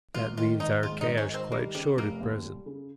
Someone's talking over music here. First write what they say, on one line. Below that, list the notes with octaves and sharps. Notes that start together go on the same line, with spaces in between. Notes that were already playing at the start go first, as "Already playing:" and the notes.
That leaves our cash quite short at present.
G#1 F4
D#3 F4
G#1 D#4
G#2 F4
D#4
G#1
C#4
D#3 C4
G3 A#3
C#3 G3
F1 A#3
D#2
G3
C#3